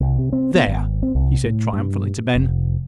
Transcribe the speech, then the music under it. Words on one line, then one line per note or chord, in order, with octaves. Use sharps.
"There!" he said, triumphantly, to Ben.
C2
C3
C4
B3
G#1
C4
C2
A2
G2
F1